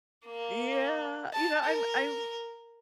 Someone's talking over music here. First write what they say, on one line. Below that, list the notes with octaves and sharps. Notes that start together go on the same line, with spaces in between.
Yeah, you know, I'm I'm
A#3
A5
A#4